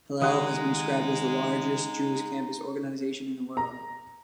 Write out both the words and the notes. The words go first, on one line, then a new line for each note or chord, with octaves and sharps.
Hillel has been described as the largest Jewish campus organization in the world.
D#3 G#3 D#4 G4 F#5 C6 D#6
A#5